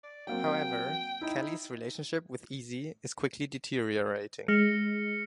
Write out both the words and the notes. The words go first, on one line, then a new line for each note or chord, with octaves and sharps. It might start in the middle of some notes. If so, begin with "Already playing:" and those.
However, Callie's relationship with Easy is quickly deteriorating.
D5
F#3 A#3 C4 G5
D#4 E4
G#3 F6 A#6 C#7